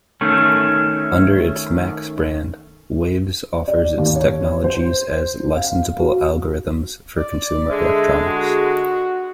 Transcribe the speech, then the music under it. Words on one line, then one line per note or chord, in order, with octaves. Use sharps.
Under its Maxx brand, Waves offers its technologies as licensable algorithms for consumer electronics.
D#3 A3 C#4
D5
D#2
C#5
C5
F5
F#4
D5
D3 G#3 E5
F#4